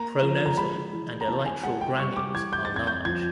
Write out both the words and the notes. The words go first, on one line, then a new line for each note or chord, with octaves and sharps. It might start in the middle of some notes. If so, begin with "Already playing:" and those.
Pronotal and elytral granules are large.
Already playing: A#3 A#5
F3
A#5
G#3 B5
E3
A#5
B3 A5
G#5
G#3 F#5
G5
G3 C#6
D6
E3 G#6
G6
F2 A6
G#6
G6
F3 G#6